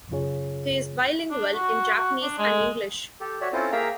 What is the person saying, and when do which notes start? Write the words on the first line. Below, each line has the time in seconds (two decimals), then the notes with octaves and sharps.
He is bilingual in Japanese and English.
0.11 F#2 C#3 F4 G#4 C#5
1.31 D4
1.54 F#4
1.94 F#4
2.22 D4
2.38 G#3
3.20 G4 A4
3.41 F#4 C#5 D5 E5
3.53 C4 C#4 E4 F4 A4 C5
3.72 A#3 G#4 E5 F5 G5 A#5